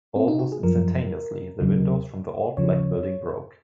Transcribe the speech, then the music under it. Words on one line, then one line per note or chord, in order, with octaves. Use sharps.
Almost instantaneously, the windows from the old black building broke.
C4
D#4
F#4
G#4
F#2 F3 A#4
D#2 C#3 F#3
D#2 C#3 F3 C#5